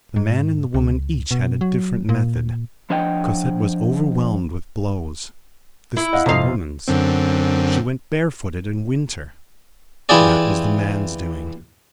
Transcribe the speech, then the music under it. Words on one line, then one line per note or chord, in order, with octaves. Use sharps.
The man and the woman each had a different method: Cosette was overwhelmed with blows--this was the woman's; she went barefooted in winter--that was the man's doing.
G#2
C#2
B2
F#3
A#2
F3 D4 C#5 D#5 F#5 G5
E4
D#5 F5 F#5
F2 C3 D#5 F5 D#6
F#2 D3 C4
E3 E4 F4 G4 G#4 D5